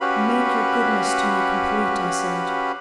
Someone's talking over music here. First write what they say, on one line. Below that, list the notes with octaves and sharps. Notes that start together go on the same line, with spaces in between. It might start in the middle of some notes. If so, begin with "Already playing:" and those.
"Make your goodness to me complete," I said.
C#4 F#4 G4 B4 F5 B5